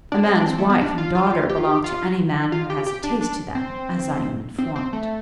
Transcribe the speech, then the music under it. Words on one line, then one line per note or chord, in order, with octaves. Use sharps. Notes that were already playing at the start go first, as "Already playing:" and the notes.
A man's wife and daughters belong to any man who has a taste to them, as I am informed.
D4
C4
D4
C4
A3
B3
D4
F4
F4
G4
F4
G4
F4
G4
F4
F4
G4
G4
D4
D4
C4
C4
C4
A3